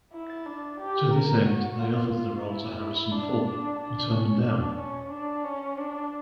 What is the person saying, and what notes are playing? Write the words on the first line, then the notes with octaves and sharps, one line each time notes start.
To this end, they offered the role to Harrison Ford who turned them down.
E4
D4
G4
A#4
F#4
F4
F4
E4
E4
D4
D4
D4
C#4
D4
C#4
D4
C#4
D4